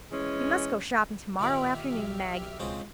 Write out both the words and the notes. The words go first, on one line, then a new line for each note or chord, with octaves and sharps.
We must go shopping tomorrow afternoon, Meg.
E3 G#3 C#4
A#2 D#3 G4 D5 E5 F6
B1
C#2 B2 G#3 C4 C#4 F4